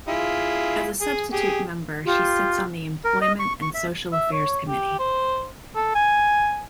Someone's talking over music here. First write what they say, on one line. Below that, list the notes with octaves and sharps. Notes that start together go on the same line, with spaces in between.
As a substitute member she sits on the Employment and Social Affairs Committee.
E4 F4 G#4
G#4
G4 G#4
F4 G4
A#4
D#5
C#6
C#6
E5
E5
C#5
G4
C5
A4
G#5